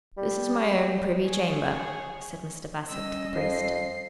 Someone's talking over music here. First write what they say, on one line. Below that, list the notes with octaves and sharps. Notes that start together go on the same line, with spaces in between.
"This is my own privy chamber," said Mr. Bassett to the priest.
G3
G#4 C#5
G3 C#4 D#5 E6
F2 C7